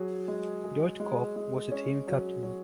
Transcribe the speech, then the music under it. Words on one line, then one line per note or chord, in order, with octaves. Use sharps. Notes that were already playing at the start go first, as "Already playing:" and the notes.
George Cobb was the team captain.
Already playing: F#3 G#4
G#3
G#4
G#3
G#3
C#4
F#3
F#3